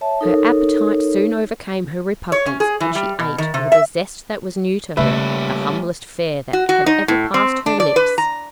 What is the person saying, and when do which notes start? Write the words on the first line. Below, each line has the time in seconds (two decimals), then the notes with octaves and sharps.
Her appetite soon overcame her repugnance, and she ate, with a zest that was new to her, the humblest fare that had ever passed her lips.
0.01 C#5 E5 A5
0.21 D#4 A4 A#4 C#5
2.32 C#5
2.46 C#4
2.60 G#4
2.80 E3
2.95 G3
3.19 B2
3.38 D#3
3.54 C3
3.72 E5
4.97 C#3 G3 A3 A#3 C#4 B4 E5
6.53 F#4
6.69 F#4
6.86 D#4
7.08 A2
7.34 C4
7.66 D4
7.80 D5
7.96 B4
8.18 A#5